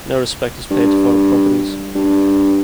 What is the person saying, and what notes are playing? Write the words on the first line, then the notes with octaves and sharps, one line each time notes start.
No respect is paid to foreign properties.
G2
G2